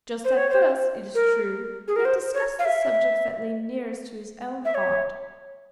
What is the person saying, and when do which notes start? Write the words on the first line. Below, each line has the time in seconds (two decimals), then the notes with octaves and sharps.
Just at first, it is true, he had discussed the subjects that lay nearest to his own heart.
0.25 C5
0.37 C#5
0.50 C5
1.15 A#4
1.88 G#4
1.96 A#4
2.05 C5
2.34 C#5
2.59 F5
2.65 E5
4.65 E5
4.75 C#5